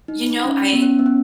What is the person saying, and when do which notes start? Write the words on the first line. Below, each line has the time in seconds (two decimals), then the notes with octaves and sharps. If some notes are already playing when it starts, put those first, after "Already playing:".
You know, I
0.08 D#4
0.46 C#4
0.73 B3
0.82 C#4
0.99 B3
1.06 C#4